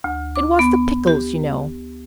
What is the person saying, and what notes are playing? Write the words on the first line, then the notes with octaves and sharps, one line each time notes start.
It was the pickles, you know.
D2
D6
B3
G4